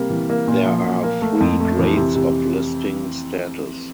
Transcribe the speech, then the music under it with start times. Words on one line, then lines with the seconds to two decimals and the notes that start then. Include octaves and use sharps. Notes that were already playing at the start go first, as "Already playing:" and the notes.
There are three grades of listing status.
Already playing: C3 G3 A#3
0.10 E3
0.30 A#3
0.48 A#2
0.66 F3
0.85 A#2
1.03 A#3
1.22 A3
1.41 F2
1.60 A3
1.79 E3
1.97 C3
2.16 C3